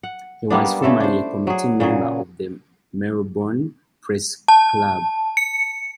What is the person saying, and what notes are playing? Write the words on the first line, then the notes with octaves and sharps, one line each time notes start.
He was formerly a committee member of the Melbourne Press Club.
F#5
G3 A#3 B3 D4
C#3 A3 E4 A4
D4 C5
F#3 G#4
A#2 C#3 F#3 G#4
A5
C#7